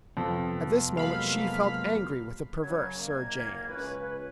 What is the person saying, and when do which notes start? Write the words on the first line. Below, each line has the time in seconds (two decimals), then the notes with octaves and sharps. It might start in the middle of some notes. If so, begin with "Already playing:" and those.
At this moment she felt angry with the perverse Sir James.
0.17 F2 C3 B3 G5
0.97 F#3 G#3 A#3 F5 B5
2.63 F#2 C#3 F#3 G#6
2.96 F#1 A#3
3.68 C#2 C#4 B4